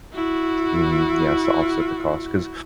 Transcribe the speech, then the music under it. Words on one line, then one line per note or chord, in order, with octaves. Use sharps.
mm, yes, to offset the cost 'cause
E4 F#4